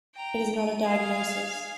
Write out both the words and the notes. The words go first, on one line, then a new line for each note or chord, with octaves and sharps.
It is not a diagnosis.
G5 A#5
D#7
G#4 F5